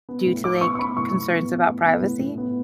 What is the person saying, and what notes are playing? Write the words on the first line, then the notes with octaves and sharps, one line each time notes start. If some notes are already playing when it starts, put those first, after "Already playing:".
due to, like, concerns about privacy?
B3
A2
A2 D6
B3 C#6
C#6
B3 B5
A2 C#6
A2
B3
B3
A2
B3
A2
A2
B3